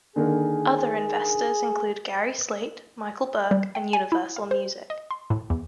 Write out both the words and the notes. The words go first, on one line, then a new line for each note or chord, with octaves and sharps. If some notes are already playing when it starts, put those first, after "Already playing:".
Other investors include Gary Slaight, Michael Burke and Universal Music.
D3 D#3 A#3 G#4
G3
G5
G#5
E4
F5
C5
D#5
C6
A2
E2